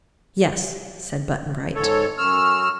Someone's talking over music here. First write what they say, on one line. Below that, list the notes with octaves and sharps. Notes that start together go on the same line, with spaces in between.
"Yes," said Button-Bright.
G#2 A4 C#5
F#2 C#6 E6 F6